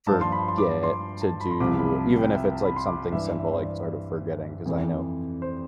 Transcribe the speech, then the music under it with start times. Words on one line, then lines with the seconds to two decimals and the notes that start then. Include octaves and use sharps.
forget to do even if it's like something simple, like sort of forgetting 'cause I know,
0.07 G2 F3 A5
0.21 C6
0.32 B5
0.48 C6
0.58 D6
0.83 C6
1.22 A5
1.40 B5
1.51 C6
1.60 C2 C3 F3 D6
1.79 B5
1.99 A5
2.17 G5
2.36 E5
2.54 A5
2.65 B5
2.76 C6
2.87 D6
3.12 G2 E3 E5
3.39 E5
3.53 C5
3.64 D5
4.65 F2 E3
5.42 C5